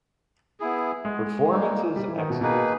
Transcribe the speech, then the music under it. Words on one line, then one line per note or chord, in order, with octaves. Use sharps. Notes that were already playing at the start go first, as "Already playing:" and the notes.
Performance is excellent.
B3 E4 G#4
G#3
G3 A#3 D#4
G3
E3
D#3
B2
B2 A#3 D#4 G#4 B4